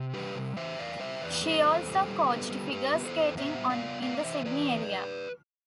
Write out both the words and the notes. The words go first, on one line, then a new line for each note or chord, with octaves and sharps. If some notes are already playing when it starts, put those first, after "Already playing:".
She also coached figure skating in the Sydney area.
Already playing: C3
G3 G4 B4
C3
E3 C5 E5
E2 D5 F5
G3 C5 E5
E2 B4 D5
G3 A4 C5
E2
G3
G3
B3
G3
G3 G4 B4
B3
B4
A4 C5
E2
B3 C5 E5
G3
D5 F5
B3
A3 D5 F5
D5
E3 C5 E5
E3 B4 D5